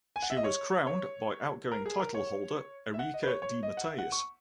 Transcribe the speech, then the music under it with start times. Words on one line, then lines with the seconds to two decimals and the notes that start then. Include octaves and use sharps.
She was crowned by outgoing titleholder Erica De Matteis.
0.16 G#5
0.22 F#5
0.30 E5
0.37 D#5
0.44 C#5
0.87 C#5
1.72 A#4
1.86 G#4
2.00 A#4
2.14 C#5
2.94 E5
2.99 F#5
3.14 D#5
3.23 B4
3.28 C#5
3.42 C#5
3.63 D#5
3.77 F#5
3.84 E5
3.98 F#5
4.12 C#6